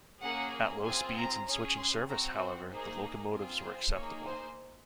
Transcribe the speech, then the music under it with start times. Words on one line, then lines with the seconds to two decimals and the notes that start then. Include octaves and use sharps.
At low speeds in switching service, however, the locomotives were acceptable.
0.22 A#3 C#4 G#4 F#5
0.84 C4 F4 G#4 G#5
1.15 A#5
1.46 C#4 G#4
1.77 C6
2.08 C4 F#4 A#5
2.39 C5
2.71 A#3 D#4 G#4 C5
3.32 C4 F4 G#4 A#4
3.64 C5
3.94 A#3 D#4 G#4 C#5
4.25 C5